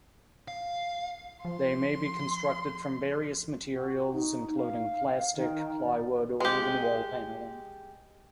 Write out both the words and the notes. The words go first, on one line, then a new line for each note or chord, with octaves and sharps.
They may be constructed from various materials, including plastic, plywood, or even wall paneling.
F5
F3 C6
F#4
D#4
F5
D#3
D5
G#3 G4